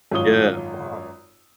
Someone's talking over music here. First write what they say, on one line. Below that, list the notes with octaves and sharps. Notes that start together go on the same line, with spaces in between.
Yeah, wow.
G#1 F#2 F4 C#5 D#6 G7